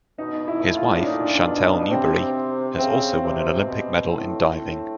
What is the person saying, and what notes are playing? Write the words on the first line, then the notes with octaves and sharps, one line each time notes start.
His wife, Chantelle Newbery, has also won an Olympic medal in diving.
B2 D#4
E4
A2
F4
D4
A#2 D#4
D4
B2
C3 C4
C#3 C4
C3
B2
A2
A2